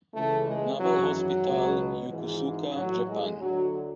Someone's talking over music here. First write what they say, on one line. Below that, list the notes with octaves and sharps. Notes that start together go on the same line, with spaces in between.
Naval Hospital, Yokosuka, Japan.
C#2 C#3 E3 A3
G#3
G#1 F#2 E3 F#3
F#3
C#2 B2
G#1 G#2 E3
A1 A2 E3 F#3
G#3
D2 D3 F#3